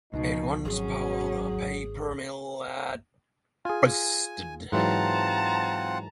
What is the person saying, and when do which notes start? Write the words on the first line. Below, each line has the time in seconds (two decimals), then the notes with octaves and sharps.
It once powered a paper mill at Basted.
0.13 C#2 B2 F3 D#4
0.65 G#1 F#3 C#4 G#4
3.65 F4 G#4 G#5
4.72 G#2 E3 F#3 C4 F4 F#5 A5 A#5